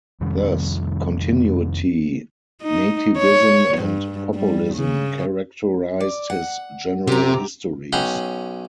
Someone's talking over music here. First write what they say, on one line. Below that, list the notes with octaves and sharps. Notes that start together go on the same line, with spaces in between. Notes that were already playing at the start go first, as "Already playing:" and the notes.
Thus continuity, nativism, and populism characterized his general histories.
F2 C3 D#3 G3
D#4
C#5
G2
G3
C#3
D5
F#5
C3 G4 A#5
B1 C#4 F#5 G5 B5 C6